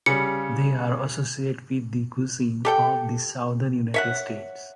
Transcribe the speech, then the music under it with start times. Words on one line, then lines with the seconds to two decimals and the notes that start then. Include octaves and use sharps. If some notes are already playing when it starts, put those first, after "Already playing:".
They are associated with the cuisine of the Southern United States.
0.06 C#3 G3 C#7
2.65 G4 A4 G5
3.94 C#5 E5 F#5